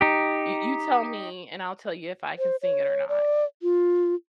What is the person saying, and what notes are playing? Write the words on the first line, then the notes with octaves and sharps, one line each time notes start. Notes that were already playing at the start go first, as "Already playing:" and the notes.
You you tell me, and I'll tell you if I can sing it or not.
D#4 G4
C5
C#5
D5
F4